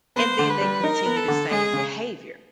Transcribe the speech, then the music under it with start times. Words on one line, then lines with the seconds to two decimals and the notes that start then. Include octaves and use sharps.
and then they continue the same behavior.
0.16 B3 C5
0.39 D3
0.50 B4
0.61 G3
0.83 D#4 A#4
1.06 B3
1.16 A4
1.28 D3
1.51 G#3 G#4
1.73 C#3